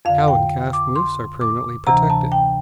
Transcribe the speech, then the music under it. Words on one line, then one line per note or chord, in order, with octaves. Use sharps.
Cow and calf moose are permanently protected.
F2 D3 F5
G5
D6
C6
D6
D2 C3 E3 A#5
A5
G5